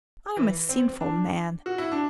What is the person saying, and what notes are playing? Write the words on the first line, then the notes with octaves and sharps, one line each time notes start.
I am a sinful man.
E3
C4
D4
F#4
E4
D4